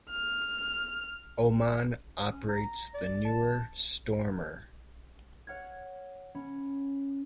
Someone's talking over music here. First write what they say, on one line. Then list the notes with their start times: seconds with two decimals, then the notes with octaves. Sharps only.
Oman operates the newer Stormer.
0.10 F6
2.30 C#4
2.49 A#5
2.94 D5
3.25 A5
5.47 C#5 F#5 F6 G#6
6.35 C#4 B5